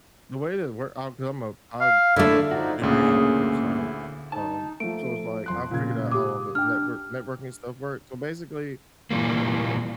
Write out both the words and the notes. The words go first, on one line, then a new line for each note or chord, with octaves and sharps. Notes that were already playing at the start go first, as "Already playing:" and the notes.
the way that it work I 'cause I'm a I I have a com degree in computer science, um, so it's like I've figured out how all the network networking stuff works so, basically,
F5
D3 A3 E4
F3 D#4 F#4 D5
D2 A#2 C#3 A#3 C#4 G#4
E4
D#4 A5
F3 A3 D7
F2 C6 F#6
A#2 C#3 G#6
G4 D6 D#6
D4 G5 F6
A#2 E3 G3 A#3